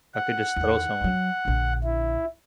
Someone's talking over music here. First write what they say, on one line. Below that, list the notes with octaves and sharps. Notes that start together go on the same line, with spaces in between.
Hulk could just throw someone.
F#5
E2 D#3
F3 F#3
A#1 D3
E4